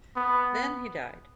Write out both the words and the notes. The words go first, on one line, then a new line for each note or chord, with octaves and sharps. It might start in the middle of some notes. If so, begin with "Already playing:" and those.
Then he died.
B3